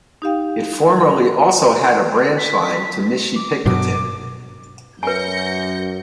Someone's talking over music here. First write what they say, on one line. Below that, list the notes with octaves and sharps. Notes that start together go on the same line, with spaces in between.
It formerly also had a branch line to Michipicoten.
D#4 G4 F5 G5
A#4 F#5
B6
D6
G2 B2 F#3 D6
F#2 B4 G#5 G6 A#6 C#7